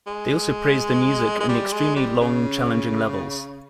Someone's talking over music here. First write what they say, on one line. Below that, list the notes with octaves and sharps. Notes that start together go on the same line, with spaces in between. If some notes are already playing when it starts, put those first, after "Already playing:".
They also praised the music and the extremely long, challenging levels.
G#3
G#3
G3
G#3
G3
C#3